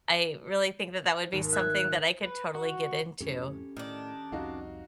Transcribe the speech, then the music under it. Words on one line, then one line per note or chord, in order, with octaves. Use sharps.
I really think that that would be something that I could totally get into.
G#1 D#2
E5 F#6 G#6
B4
F#4
F2 A2 C#4 G4 A4
A2 D#3 D4
C2 F2 C3 D#4 F#4 F5